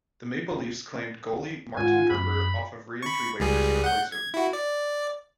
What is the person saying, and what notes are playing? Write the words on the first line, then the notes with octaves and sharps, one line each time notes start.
The Maple Leafs claimed goalie Martin Gerber off of re-entry waivers to replace him.
G#2 F4 F#5 G#5
F#2 B5
B5 C#6
C#2 G3 G#4
F#5 G6
G#6
E4 F#4
D5